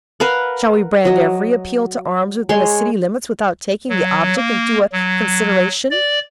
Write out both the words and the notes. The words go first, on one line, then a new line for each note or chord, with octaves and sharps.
Shall we brand every appeal to arms within a city's limits without taking the object into a consideration?
A#4 B4 F5 F#5
F#3 D#5
G#3 C#5 C6
F#3
A#3
F#3
D5